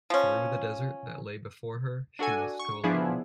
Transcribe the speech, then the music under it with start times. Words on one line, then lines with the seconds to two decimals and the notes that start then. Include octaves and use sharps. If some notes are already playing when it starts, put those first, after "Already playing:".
Through the desert that lay before her, she must go alone.
0.10 F3 C#4
2.19 D4 F#4 A4 G#5
2.59 C#6
2.84 F3 B3 D4 E4 G#4